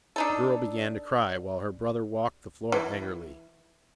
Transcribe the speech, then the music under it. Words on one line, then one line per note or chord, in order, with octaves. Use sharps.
The girl began to cry, while her brother walked the floor angrily.
D4 D#4 A4
E3